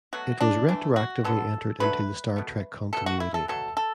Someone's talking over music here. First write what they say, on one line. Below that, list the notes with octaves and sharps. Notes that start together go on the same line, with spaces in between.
It was retroactively entered into the "Star Trek" continuity.
B2 F#3 A3 F#4
D4
E3 A3 D4
F#4
D3 F#3 B3 A4
D3 F#3 A3 B4
B2 A3
B2 F#3 A3 A4
F#4
E4
A4
B2 F#3 A3 A4
A4